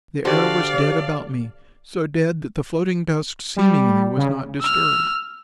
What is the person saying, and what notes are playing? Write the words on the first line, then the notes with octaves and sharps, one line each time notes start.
The air was dead about me, so dead that the floating dust seemingly was not disturbed.
D3 F#4 G4 C5 D5 F5
G3
C#3
E6 F6